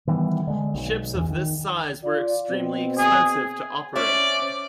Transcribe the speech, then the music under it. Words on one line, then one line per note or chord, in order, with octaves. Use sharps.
Ships of this size were extremely expensive to operate.
D#3 E3 G3 B3
D3 G#3
B1
E2 E3
D#3
F4 D5
B2 C4
G#4
C#4 C5 D5 E5